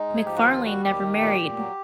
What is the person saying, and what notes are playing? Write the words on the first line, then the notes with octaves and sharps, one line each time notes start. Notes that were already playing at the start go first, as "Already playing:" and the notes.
McFarlane never married.
Already playing: G#3 D#4
G#2
G#4
F3 G4
F#4
D#2 F4
G3 F#4
D#2 G4
D#3
A#2
A#2
F#3